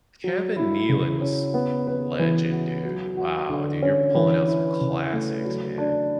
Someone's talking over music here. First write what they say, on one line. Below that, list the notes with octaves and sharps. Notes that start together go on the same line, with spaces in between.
Kevin Nealon was legend, dude. Wow, dude, you're pulling out some classics, man.
F#3
E4
C#3
C#4
B3
B4
E3
F#4
F#3
F#4
D3
C#4
E3
E4
C#3
A3
F#3
D4